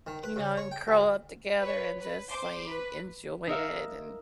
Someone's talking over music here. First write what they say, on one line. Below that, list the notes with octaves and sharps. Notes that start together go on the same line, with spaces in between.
you know, and curl up together and just, like, enjoy it and
D#3
B4
C#3
C#5
G5
D2
B4 C#5
B4
C5 C6 D6
B4
D#4 A#4 E5 F5